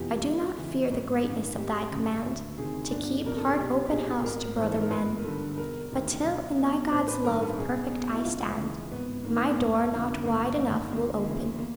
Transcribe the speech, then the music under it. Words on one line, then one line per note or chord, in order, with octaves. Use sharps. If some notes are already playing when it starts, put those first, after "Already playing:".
I do not fear the greatness of thy command-- To keep heart-open-house to brother men; But till in thy God's love perfect I stand, My door not wide enough will open.
Already playing: F1 E2 B2 F4 G4
C#2
C#3 E3
G#1
F#2 D#3
G#1 G4
F#2 C#3
D2
C3 D#3 G#4
G1 D4
F2 C3 A#4
A4
G#4
B1 G4
G4
A#2 G#4
G#1 A#4
G#2 E3 C5
A4
A#4
G1 B4
A#4
G2 D3 A4
E1 A#4
D2 C3 D#3
B1
B2
A1 C5
B4
G2 D#3 A#4
A4
B1 G#4
B2
E4
C#2 F4
C#3 E3
G#1 B3
G#2 D#3 A#3
B3
A#3
F1
F2 D3
G1 A#3
F#2 D#3
D2 A#3
C#3 E3
A#3